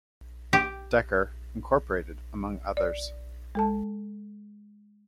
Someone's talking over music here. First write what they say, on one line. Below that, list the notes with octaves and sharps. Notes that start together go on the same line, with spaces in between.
Decker, Incorporated among others.
G4
D5
G#3 A4 A5